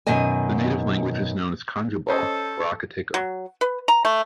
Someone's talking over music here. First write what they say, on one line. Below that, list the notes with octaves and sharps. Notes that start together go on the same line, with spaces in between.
The native language is known as Kanjobal or akateco.
F#2 B2 D#3 D#5 G#5
C#4 A4 C5 D#5
F#3
B4
A#5
A3